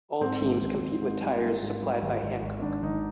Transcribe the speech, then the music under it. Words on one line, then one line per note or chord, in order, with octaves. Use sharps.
All teams compete with tyres supplied by Hankook.
G#2 C4
G#1
G#1
G#1
G#2
G3
G3
G#2
G3
G#1
G#1
G#1
G#1 D4
G#1 D#4